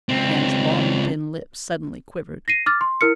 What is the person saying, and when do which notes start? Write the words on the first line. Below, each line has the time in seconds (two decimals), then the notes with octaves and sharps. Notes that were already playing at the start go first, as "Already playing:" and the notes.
Anne's long, thin lips suddenly quivered.
0.09 C#2 C4
2.48 A#6 C7 D#7
2.66 D6 F6 A6
2.81 C6
3.01 E4 A#4 F6 C#7